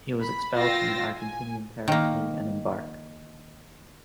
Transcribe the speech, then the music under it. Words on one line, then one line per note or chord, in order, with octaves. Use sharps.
He was expelled from the Argentinian territory and embarked.
B5
F4 G5 E6 A6 A#6 C7
G#5
D#3 A#3